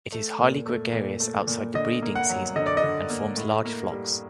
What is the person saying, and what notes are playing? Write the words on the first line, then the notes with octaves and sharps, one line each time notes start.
It is highly gregarious outside the breeding season and forms large flocks.
A3
A#2
A3
A#2
A3
A#2
D3 D#5
A#3
F#5
F#3
D3 D#5
D5
D#5
D3
A#3
A2
A#3
G3